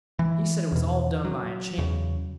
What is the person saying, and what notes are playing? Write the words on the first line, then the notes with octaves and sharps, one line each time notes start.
He said it was all done by enchantment.
E3
E2 B2
F#3
E2 C#3